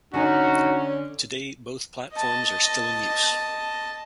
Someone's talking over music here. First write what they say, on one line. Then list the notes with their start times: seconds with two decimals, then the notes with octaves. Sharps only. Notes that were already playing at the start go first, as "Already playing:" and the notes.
Today both platforms are still in use.
0.14 D3 C#4 D#4 F#4 G#5
2.13 D#5 A5